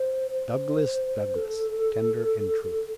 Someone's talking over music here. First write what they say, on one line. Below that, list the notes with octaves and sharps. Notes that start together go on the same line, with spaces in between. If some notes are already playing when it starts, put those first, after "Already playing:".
Douglas, Douglas, Tender and true.
Already playing: C5
C5
A4